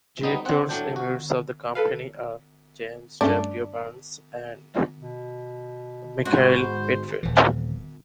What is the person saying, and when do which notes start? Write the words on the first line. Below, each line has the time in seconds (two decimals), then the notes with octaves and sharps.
Directors emeritus of the company are: James W. Burns and Michael Pitfield.
0.23 G3 B3 D#4
0.45 C4 F#5
0.69 A2 F#3 D4 G5
0.96 F#4
1.75 A4 B4 F5
3.21 G2 A3 C#4 D4
5.01 B2
6.25 G#2 B3 F#4 C5
7.23 D#1 E3